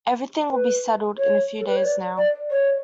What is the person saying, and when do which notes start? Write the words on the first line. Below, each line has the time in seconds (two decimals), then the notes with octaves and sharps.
Everything will be settled in a few days now.
0.51 B4
1.17 C#5
1.58 A4
1.66 B4
1.75 C#5
1.84 D5
2.17 D5
2.50 C#5